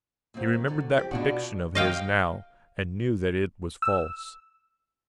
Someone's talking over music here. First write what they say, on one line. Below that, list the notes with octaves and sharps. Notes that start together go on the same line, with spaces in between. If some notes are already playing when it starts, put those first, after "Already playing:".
He remembered that prediction of his now and knew that it was false.
A#2 F#3 C4
D#3
D3 F#3
C4 G4
B2 D4 F4 F#4
D#5 F5 G5
E6